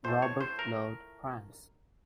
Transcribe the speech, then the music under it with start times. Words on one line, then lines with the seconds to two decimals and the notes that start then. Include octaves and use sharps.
Robert loved pranks.
0.04 A2 F3 A3 C5
0.22 C#5
0.41 C5
0.59 A#4